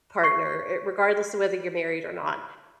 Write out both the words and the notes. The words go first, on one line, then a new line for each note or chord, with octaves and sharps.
partner, uh, regardless of whether you're married or not,
C#6 C7